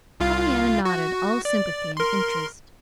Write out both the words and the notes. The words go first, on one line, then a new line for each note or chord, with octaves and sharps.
Pollyanna nodded, all sympathy and interest.
C2 F4 F5
F#4
D5
A#4 C6